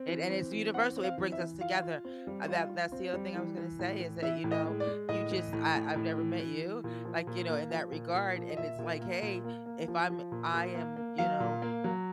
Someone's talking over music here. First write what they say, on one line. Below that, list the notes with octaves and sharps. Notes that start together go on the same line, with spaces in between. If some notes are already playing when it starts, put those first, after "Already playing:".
And and it's universal, it brings us together. Uh, that that's the other thing I was gonna say, is that, you know, you just I I've never met you, like, you know, in that regard, and it's like, "Hey," if I'm I am, you know,
Already playing: C4
E3
C4
E3
C4 F#5
C4
F5
E3
E5
E3
F4 F5
F4
C4
G3
F4
F4
C4
G3
E3
E3
A2
E3
E3 E5
A2
D#5
G#3
D5
G#3
A2 D#5
E3
A2
A2
A2
E3
E3
E3
A#2
F3
A#2
A#3
F3
A#2
A#2
F3
D#5
A#2 E5
A#2
A#3
A#2
A#3
A#3
F3
F3
A#2
A#2
A#3
A#3
F#3 F5
A#2
A#3
F#3